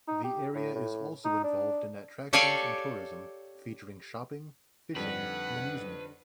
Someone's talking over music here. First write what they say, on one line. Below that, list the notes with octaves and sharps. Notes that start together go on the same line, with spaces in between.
The area is also involved in attractions and tourism, featuring shopping, fishing and amusement.
D#4
G4
A2
A2
D#4
D4
G4 A4 C#5 D5 F5 G#5
F2 D3 G3 D#4 B4 F#5